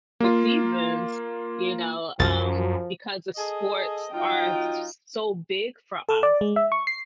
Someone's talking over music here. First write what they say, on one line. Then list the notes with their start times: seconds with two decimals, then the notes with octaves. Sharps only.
for seasons, you know, um, because the sports are s s so big for us,
0.20 A#3 F4
2.19 C2 F#2 F3 A6
3.36 G#4 A4 D#5
4.13 F#3 D#4 F4 G5
6.09 A4
6.23 D5
6.41 G#3
6.56 E5
6.72 C#6
6.87 C7